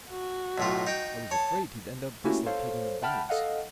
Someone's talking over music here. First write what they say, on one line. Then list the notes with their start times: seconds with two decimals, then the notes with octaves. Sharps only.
I was afraid he'd end up dislocating the bones.
0.10 F#4
0.58 B1 A2 F4
0.87 D#4 G5
1.31 C#5 A5
2.24 A3 A#3 C#4 E4 F#4 G4
2.46 A4 C5 C#5 F5
3.02 E5 F#5 G5 A5 B5 F6
3.29 A4 D#5 F5 F#5